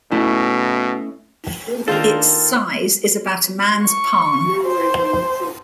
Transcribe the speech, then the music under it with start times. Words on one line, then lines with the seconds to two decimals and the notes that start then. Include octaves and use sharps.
Its size is about a man's palm.
0.12 B2 A3 C#4 E4
1.88 D#3 A#3 D4 F4 A4 A#4 C5
3.83 C#6
4.64 C5